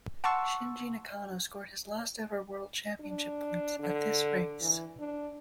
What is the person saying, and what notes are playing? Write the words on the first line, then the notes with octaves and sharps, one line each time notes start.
Shinji Nakano scored his last ever world championship points at this race.
F#5 A5 C6 C#6 E6
D4
D3
E3
D4